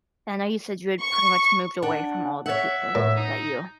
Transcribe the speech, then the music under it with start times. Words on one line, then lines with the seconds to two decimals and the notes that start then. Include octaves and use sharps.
I know you had said you pretty much moved away from all the people that you
1.01 C#6
1.82 D4 F#5
2.46 C#5 E5 F#5
2.95 A2
3.16 D#4